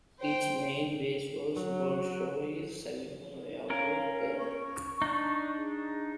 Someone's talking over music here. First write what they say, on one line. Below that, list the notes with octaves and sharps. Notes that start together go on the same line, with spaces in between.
Its main base was Bolshoye Savino Airport, Perm.
C5 G5
F#3
C#4 A#4 F5
C#6
D4 D#4
G#4